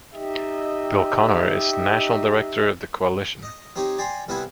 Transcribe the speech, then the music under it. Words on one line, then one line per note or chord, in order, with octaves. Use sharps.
Bill Connor is national director of the coalition.
D#4 G4 D#5 E5
D#5
C4 D#4 G4 C#5
D5 G5 G#5 A#5 C6
C2 B3 C4 E4 F#5 G#5